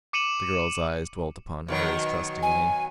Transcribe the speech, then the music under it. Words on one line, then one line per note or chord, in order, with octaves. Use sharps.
The girl's eyes dwelt upon hers trustingly.
D6 C#7 D#7 E7 F#7
B2 D#3 F#3
G#5